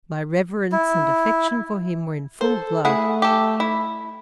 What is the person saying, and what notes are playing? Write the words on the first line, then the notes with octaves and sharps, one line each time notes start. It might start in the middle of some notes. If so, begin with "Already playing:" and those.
My reverence and affection for him were in full glow.
E4
A4 C5
A3 E4 G#4 F#5
G4 A4
E4